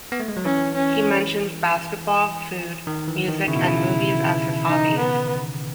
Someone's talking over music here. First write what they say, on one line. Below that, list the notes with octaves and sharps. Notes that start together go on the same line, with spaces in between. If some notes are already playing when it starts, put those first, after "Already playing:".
He mentions basketball, food, music and movies as his hobbies.
B3
A3
G#3
F#3
E3 C#4
C#4
D#3
E3
D#3
C#3 E4
B2
C#3
D#4
B3